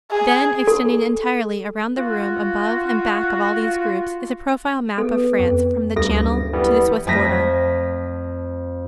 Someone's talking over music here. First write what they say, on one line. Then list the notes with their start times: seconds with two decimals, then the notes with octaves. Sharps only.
Then extending entirely around the room above and back of all these groups is a profile map of France from the Channel to the Swiss border.
0.11 G#4
0.67 A4
1.97 F4 F#4
4.98 B3 A4
5.39 F2
5.96 F#1 D2 G2 A4 A#6
6.53 E3 G3 B3
7.07 F2 A3 A#6 B6